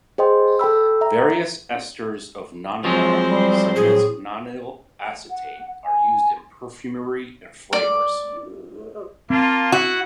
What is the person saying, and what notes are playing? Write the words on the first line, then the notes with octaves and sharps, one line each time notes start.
Various esters of nonanol, such as nonyl acetate, are used in perfumery and flavors.
G#4 C5 D#5 G5 C6
A4 G5 B5 E6
E5 A#5
F3 F#3 G#3 C4 C5
G3
A2 G#4
F#5
G#5
D5
A#3 C4 F4 A5
E4 F#4 F#5